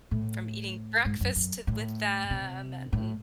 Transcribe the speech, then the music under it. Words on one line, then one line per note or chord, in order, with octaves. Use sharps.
from eating breakfast to with them, and
A2
G#2
F#2
F#2
A2
C3
A2